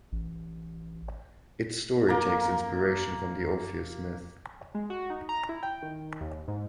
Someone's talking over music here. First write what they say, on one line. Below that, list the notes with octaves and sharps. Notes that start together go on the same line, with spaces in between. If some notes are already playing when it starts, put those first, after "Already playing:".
Its story takes inspiration from the Orpheus myth.
A1
A#3 A#5
G#3
F#4
D#4
A#5
E4
G5
D#3
D#2
G#2